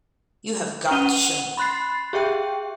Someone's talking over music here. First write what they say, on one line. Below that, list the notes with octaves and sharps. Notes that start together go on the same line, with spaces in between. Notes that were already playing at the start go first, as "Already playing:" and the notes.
You have got to show me.
C#4 F#5 D#7 F7 G7
B5 C6 F#6 A6 C7
G4 G#4 E5 G5